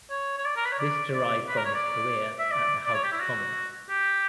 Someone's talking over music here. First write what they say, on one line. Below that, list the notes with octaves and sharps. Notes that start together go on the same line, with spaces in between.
This derived from his career at the House of Commons.
C#5
C#5
D5
A#4
B4
C#5
D5
D5
B4
A#4
C#5
D5
E5
D5
D5
C#5
G4
E4
F#4
G4